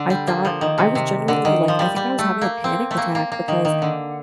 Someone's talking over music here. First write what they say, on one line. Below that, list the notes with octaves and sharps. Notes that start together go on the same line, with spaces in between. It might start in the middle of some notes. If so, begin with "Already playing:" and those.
I thought I was genuinely like, I think I was having a panic attack because
Already playing: D3
G3
A#3
F3
D#3
C3
C3
D3
D#3
F3
G3
G3
A3
A#3
C4
A3
A#3
A#3
A#3
D#3
D#3
D3